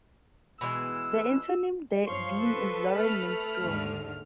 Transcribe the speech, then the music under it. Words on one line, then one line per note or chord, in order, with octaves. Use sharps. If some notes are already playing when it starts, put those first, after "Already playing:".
The interim dean is Lauren Lindstrom.
B2 E3 G#3 E6
G2 F3 C#5 F5 C6 C#6
A4 B4
A3 B5 F6
D#2 G#2 D3